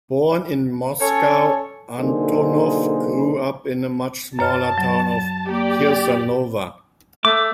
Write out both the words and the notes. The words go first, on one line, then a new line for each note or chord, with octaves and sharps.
Born in Moscow, Antonov grew up in the much smaller town of Kirsanov.
C#4 A4 C#5
B1 D3 A#3 D#4 G#4 C5
F#2 C#5 A5 F6
F#3
A#3 G4 D5
A3 D6